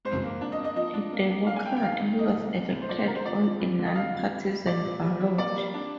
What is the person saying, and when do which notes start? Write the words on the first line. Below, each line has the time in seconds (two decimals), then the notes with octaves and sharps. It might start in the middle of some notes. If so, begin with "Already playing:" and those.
A Democrat, he was elected on a non-partisan ballot.
0.05 G#2 C5
0.24 A#3
0.41 D4
0.52 D#5
0.59 A#3
0.64 D#5
0.76 F3 D#5
0.94 D4
1.12 A#3
1.30 D4
1.47 A#3 F5
1.56 G#5
1.65 A#3 G5
1.77 G5
1.83 D#3 F5
2.00 D#3
2.18 A#3 D#5
2.36 C2
2.54 C3
2.72 C2
2.82 C5
2.89 F3 D5
2.98 C5
3.07 D3 A#4
3.16 C5
3.25 F3 D5
3.43 F3
3.60 F2
3.79 D3
3.85 D#5
3.96 D3 F5
4.14 F2
4.32 G3
4.49 G3
4.67 A#2 D5
4.85 A#2
5.02 G3
5.21 G3
5.38 A#3 D5
5.56 G3
5.74 D4